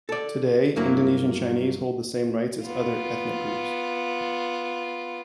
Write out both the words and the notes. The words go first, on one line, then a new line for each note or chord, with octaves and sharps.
Today, Indonesian Chinese hold the same rights as other ethnic groups.
A4 D5
G2 F#3 A#3 E4
B3 F4